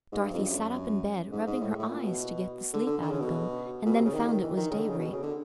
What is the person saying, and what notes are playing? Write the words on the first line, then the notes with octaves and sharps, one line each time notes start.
Dorothy sat up in bed, rubbing her eyes to get the sleep out of them, and then found it was daybreak.
G#2
G2
F2
G2
F#2
G#2
G#2
A2
A2
A#2
B2
D3
D3
D3
C#3
B2
A#2
B2
C3
C#3
D#3
D#3
E3
D#3
C#3
D3
C#3
B2
C#3
D3